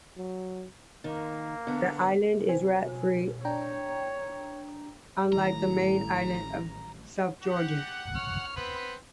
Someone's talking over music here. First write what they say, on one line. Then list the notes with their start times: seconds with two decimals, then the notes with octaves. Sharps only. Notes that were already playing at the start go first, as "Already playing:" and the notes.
The island is rat-free, unlike the main island of South Georgia.
0.18 F#3
1.04 D#3 A#3
1.67 D3 B3
2.49 C4 G#5
3.45 D4 C#5 G5 A#5
5.33 A1 A2 D#3 F#3 G3 A#5
7.42 G4 F#5
8.15 C#5 F6
8.56 B3 C4 B4